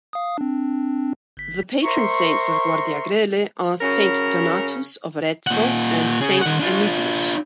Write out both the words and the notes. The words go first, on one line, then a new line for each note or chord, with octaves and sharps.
The patron saints of Guardiagrele are Saint Donatus of Arezzo and Saint Emidius.
F5 D#6
C4 D4
G1 B6
A#4 C5 E5 A#5 C6 C#6
C#3 F#3 C#4 A#4
A#2 F#5
C#4 G#4
D#3 F#5
D4 F4